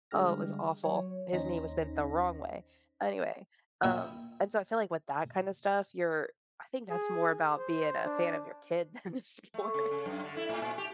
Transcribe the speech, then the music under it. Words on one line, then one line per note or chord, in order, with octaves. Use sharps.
Oh, it was awful. His knee was bent the wrong way. Anyway, um, and so I feel like with that kinda stuff, you're I think that's more about being a fan of your kid than a sport.
D3 G3 G#3 G4 F6 A#6
F#3 C#5
D#2 C#4 D#4 C5 A#6 B6
A#2 E4 E5 G5 A#5
G#4
C5
D4
A3
C#3
C#3
F#2
D3
E4
A2
A#2
G4